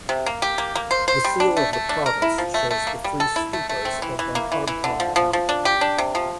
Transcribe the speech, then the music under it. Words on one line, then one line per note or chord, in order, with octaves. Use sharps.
The seal of the province shows the three stupas on Bantadthong Mountain.
C3
A#3
G4
A#3
A#3
C5
C5
G3
D4
A3
A3
D4
A#4
E4
F3
A3
A3
A#3
G3
A4
E4
A3
A3
C4
E3
E3
A#3
E3
E3
D3
F3
F3
F3
D4
G4
D4
C3
F3